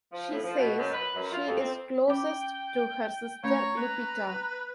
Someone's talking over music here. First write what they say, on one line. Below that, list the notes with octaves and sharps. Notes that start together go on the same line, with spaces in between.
She says she is closest to her sister Lupita.
F3
A2
F3
B2
F#2
B4
F#2
F4
F2
C4
C#4 G5 D6
A3 C#4 C#5 A#5
B4